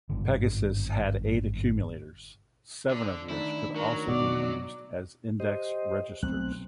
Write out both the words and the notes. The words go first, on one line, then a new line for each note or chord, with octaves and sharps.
Pegasus had eight accumulators, seven of which could also be used as index registers.
G#1 G2 D3
D3
D2 D#3 D4 E4
F#3 A#4
B2 D5
G4 C5 D#5
B1 F#3 A3 C4 F#6